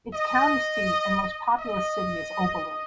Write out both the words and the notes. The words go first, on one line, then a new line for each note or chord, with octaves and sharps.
Its county seat and most populous city is Oberlin.
D#5
D#5